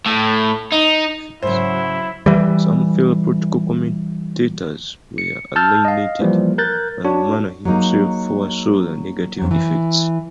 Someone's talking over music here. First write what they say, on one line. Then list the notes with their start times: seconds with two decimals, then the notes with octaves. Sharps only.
Some fellow political commentators were alienated, and Mann himself foresaw the negative effects.
0.06 A2
0.72 D#4
1.43 G#2 C#3 F#3 E4 C5
2.26 E3 G3
5.18 C#7
5.56 A5 E6 F6 G6 A6
5.85 D#5 F5
6.20 E3 F3 G3 A#3
6.58 A#4 F#6 G6 A6
7.04 D4 F#4 C#5
7.65 F#3 G#3 A#3 D#4
9.38 F2 F#3
9.51 E3